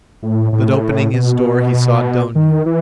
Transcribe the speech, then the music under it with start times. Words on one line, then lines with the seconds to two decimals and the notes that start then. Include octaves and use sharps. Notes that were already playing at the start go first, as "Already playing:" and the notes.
But opening his door he saw Dounia.
0.23 A2
0.53 A2
1.14 B2
2.35 D#3
2.66 E3